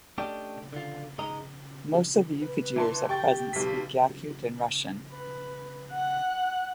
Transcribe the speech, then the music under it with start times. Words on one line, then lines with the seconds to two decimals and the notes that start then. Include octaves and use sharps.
Most of the Yukaghirs at present speak Yakut and Russian.
0.18 A3 C#4 D4 G4 D5 D#5
0.73 D3 F4
1.18 G#2 G#3 D#5 A#5
2.41 B4
2.76 E3 A5 C6
3.09 G4 G5 C#6 A6
3.53 B1 B6
5.11 B4
5.91 F#5 F#6